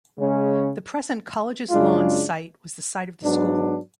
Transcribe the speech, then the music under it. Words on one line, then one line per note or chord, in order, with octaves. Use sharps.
The present College's Lawns Site was the site of the school.
C#3 G#3 C#4
F#2 C#3 G#3 D4 F4
G#2 F#3 B3 D4